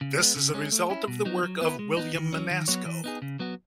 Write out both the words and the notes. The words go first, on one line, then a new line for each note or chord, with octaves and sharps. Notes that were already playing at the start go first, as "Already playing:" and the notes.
This is a result of the work of William Menasco.
C#3
G#3 B3
C#3
G#3 C#4
A3
C#4 E4
B2
F#3 B3 D#4
F#3
B3 E4 B4
G#3
B3 D#4
D#3
F#3 C#4
D#3
F#3 B3 F#4 C#5
E3
B3 D#4 G#4
C#3
F#3 B3 F#4